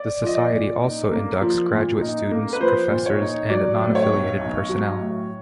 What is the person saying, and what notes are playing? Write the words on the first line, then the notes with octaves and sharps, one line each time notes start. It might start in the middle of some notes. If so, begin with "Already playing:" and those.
The society also inducts graduate students, professors, and non-affiliated personnel.
Already playing: D5
F3 D#5
D5
A#2
D#4
A#3
F3
A#2
D#4
A#3
B4
F3 C5
A#2
C#5
D#4
F#3 D5
A2
C#5
B1
B1
F#3
A2